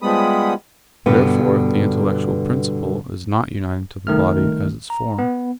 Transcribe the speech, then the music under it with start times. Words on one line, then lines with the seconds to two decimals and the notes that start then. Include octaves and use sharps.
Therefore the intellectual principle is not united to the body as its form.
0.02 F3 G3 G#3 B3 B5 D#6
1.06 G2 B2 D3 B3
4.07 C2 D#3 A3 F6
4.90 A#5
5.19 B3